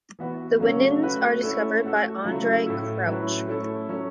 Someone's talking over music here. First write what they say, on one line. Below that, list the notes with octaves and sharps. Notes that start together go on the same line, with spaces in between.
The Winans were discovered by Andrae Crouch.
E3 B3 F#4 B4
C#3 F#3 A3 C#4 A4
A3 F#4 B4
A3 C#4 E4 A4
A3 F#4 A4
C#3 F#3 A3 E4
A2 A3 E4 A4
A2 F#3 C#4 E4 B4
A3 C#4 E4 A4
F#3 C#4 A4